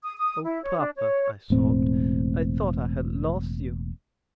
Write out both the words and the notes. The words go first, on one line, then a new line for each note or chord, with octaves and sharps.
"Oh, papa!" I sobbed, "I thought I had lost you."
D#6
D#6
E4
C#5
D4
C#5
E1 A2 C4